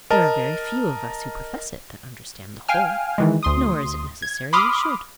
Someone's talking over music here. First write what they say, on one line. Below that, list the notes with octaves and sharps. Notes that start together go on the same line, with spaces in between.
There are very few of us who profess it that understand the whole, nor is it necessary we should.
A#4 D#5 A5
F5 G5 G#5 F6
D#3 E3 G#3
D2 C6 D#6
G#6
B5 C6 D6 D#6 F6